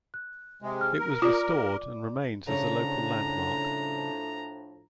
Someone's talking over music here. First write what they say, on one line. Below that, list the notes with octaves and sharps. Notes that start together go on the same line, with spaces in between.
It was restored and remains as a local landmark.
F#6
C3 G#3
F6
A#4
F4 D5 D6
A2 C#3 F3 G3 D4 C#5 A#5